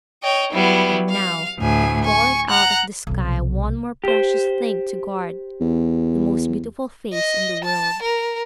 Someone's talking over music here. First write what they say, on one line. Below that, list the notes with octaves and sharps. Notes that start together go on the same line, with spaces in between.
And now had fallen out of the sky one more precious thing to guard--the most beautiful face in the world.
C#5 D#5 G5
F#3 G3 B3 E4
F5
D2 A2 G#5
G#5 C#6
F#5 A#5 F#6
B1 C3
G4 C5
E2
D#5
A5
A#4